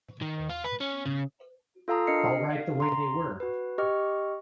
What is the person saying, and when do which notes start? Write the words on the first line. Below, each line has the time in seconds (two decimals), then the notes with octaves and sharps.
All right the way they were.
0.22 D#3
0.50 F4
0.64 B4
0.80 C#4
1.06 C#3
1.88 F4 A4 F5 A5 A#5 D#6
2.07 D4 A#4 D#5 C7 C#7
2.53 F5
2.80 A#5 C6
3.40 F#4 B4
3.78 G4 D#5 C#6 F6